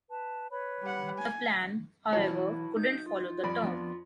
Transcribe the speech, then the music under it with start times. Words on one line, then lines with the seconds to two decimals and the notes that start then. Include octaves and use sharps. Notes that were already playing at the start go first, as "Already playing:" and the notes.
The plan, however, couldn’t follow the term.
0.10 B4 A5
0.50 B4 C#5 B5
0.82 G3 F#5
1.18 G#5
2.13 B1 E3 E4 F#4 C#5 A5
2.77 D#4 G6
3.06 F4
3.44 F2 D5 B5
3.63 F3 B3 D4